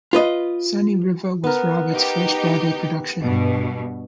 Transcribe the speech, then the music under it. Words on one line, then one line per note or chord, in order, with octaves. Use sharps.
"Sunny River" was Roberts' first Broadway production.
F4 B4 D#5
B3 A#4
D#4 G4
G2 B2